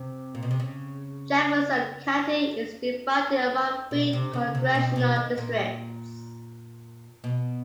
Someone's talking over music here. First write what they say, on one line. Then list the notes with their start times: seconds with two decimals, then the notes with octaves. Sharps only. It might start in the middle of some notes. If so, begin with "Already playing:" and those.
Jefferson County is divided among three congressional districts.
Already playing: C3
0.35 A#2
0.43 B2
0.51 C3
0.60 C#3
3.91 B2
4.13 C3
4.33 C#3
4.55 C3
4.75 B2
4.96 B2
5.16 D#3
5.38 A#2
7.24 B2